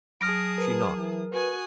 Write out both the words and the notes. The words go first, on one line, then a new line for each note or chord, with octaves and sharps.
She knocked.
F#3 G#4 A5 D#6 F6 A#6 D7
A#4 B4
E3
F#4 B4 G#5 D#6